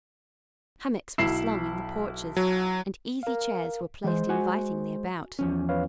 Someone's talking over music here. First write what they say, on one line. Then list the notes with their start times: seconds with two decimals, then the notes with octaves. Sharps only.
Hammocks were slung in the porches and easy chairs were placed invitingly about.
1.18 B1 E4 C7 E7
2.37 F#3
3.23 A#4 F5
4.04 E3 G#3 C5
4.29 F#4 F#5 G#5
5.39 E2 F3 C#4
5.69 B4 C#5 F5